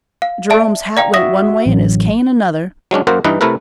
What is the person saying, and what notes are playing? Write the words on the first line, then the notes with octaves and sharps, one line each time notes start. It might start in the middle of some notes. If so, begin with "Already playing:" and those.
Jerome's hat went one way and his cane another.
F5
D5 E5 A5
D5 F5 G5 A#5
F#4 E5 D#6 A#6
A1 F#3
F#3 G#3 C#4 D4
F#2 A#3 A#4 C5 F#5
G2 E3 D#4 B4
C3 A3 E4 A#4 B4